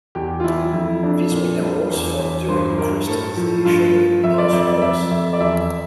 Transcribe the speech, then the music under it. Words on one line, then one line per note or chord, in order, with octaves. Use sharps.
These minerals formed during the crystallization of igneous rocks.
E2 G4
F4
E2 E4
F2 E4
F2 D4
A#2
G3
E2
E2
G2 C5
G2 A#4
A2 A4
F3
G2 F4
F3
F2 E5
C5
D5
F2 E5
D5
F2 E5
F2 E5
D5
E2 E5